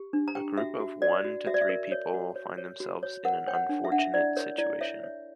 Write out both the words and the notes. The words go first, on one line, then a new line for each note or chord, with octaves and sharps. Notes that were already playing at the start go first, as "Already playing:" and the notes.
A group of one to three people find themselves in an unfortunate situation.
Already playing: G4
D4
A#5
G4 G5
F#4 E5
F#4
F#4 D5
F#4
F#4 E5
D5
E5
A#4
C#5
F#4
C#5
C#5
F#4
C#5
A#4 F#5
C#5 G5
F#5
D4
E5
D4 F#5
E5
E4 D5
A#4 C#5
E4 D5
C#5 E5
C#5